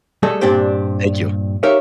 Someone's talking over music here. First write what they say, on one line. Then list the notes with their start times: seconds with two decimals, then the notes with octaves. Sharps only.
Thank you.
0.23 G3 A3 G#4 A4 D#5
0.41 G2 A#2 C4 D4 G4 C5
1.63 D#4 G4 A#4 C#5 E5 F5